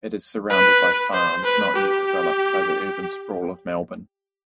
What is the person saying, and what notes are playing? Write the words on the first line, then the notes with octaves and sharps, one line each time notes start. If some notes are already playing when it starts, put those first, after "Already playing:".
It is surrounded by farms not yet developed by the urban sprawl of Melbourne.
B4
C5
B4
G4